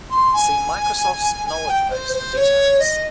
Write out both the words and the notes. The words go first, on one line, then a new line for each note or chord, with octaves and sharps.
See Microsoft's knowledge base for details.
C6
G#5
G#5
G5
C5
C5
C#5
D#5